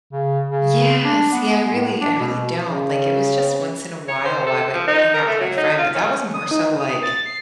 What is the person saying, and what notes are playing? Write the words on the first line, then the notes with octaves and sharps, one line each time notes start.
Yes. Yeah, I really I really don't, like, it was just once in a while, I would hang out with my friend, but that was more so like
C#3
C#3
D4
B3
A2
D4
B2
C#3
C#5
C5
A4
F3
D#4
A#4
A3
F#3
D#4
F4
C#4
D#6
D#4
D#6
A6
C7